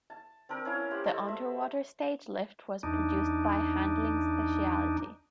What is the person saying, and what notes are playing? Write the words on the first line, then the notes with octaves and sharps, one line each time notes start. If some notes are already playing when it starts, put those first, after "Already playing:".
The underwater stage lift was produced by Handling Specialty.
A5
C4 D4 A#4
C#4 E4 F5
G4 C5 F#5
A4 C5 D#5 A5
E5
E2 D4 D#4